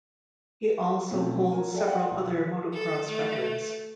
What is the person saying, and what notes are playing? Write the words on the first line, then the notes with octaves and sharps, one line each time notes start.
He also holds several other motocross records.
B1 B2 A3 C4 C#4
F#4 A#4 C#5 G#5
A4 D5 E5 G5
C5 D5 F#5 G5
B1
A4
A3